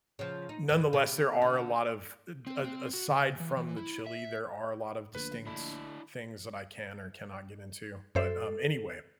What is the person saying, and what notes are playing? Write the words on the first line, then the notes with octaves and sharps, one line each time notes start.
nonetheless, there are a lot of d a aside from the chili, there are a lot of distinct things that I can or cannot get into. But, um, anyway,
C#3 F3
D#4
F2 B4
C3
D3
C4
C4
F#4
C#3
E3
E3
E4
E5
A#1 D3 A3 B4
D4 E4 B5
F#2 A4 C5 E5